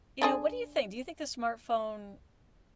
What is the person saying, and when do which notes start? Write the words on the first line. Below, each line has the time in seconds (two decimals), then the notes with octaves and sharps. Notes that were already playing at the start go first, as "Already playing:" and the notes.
you know, what do you think? Do you think the smartphone
0.22 D3 D4 G#4